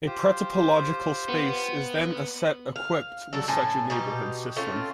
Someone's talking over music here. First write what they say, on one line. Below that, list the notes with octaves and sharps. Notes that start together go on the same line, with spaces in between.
A pretopological space is then a set equipped with such a neighborhood system.
F4 G4 C5
B3
F5
F#3 A4 D5
A2 G#5 A5
B2 D#4 G4
A3 C4 C#4 F4